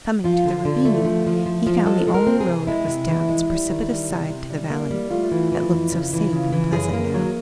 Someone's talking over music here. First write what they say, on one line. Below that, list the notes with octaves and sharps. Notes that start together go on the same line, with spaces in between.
Coming to the ravine, he found the only road was down its precipitous side to the valley, that looked so safe and pleasant now.
F3 F4
D3
D3
A3
F3
F3
F3
F3
G#3 A4
G#3 A4
A#4
C4
G#4
C3
G#3 E4
C3
E3
G#3
G3
D#3
G3
C3
C3
G3
A#3
G3
A3 F4
E3
E3
F2
C#3
E3
C#3
E3
F#2 G#4
A#3
F#3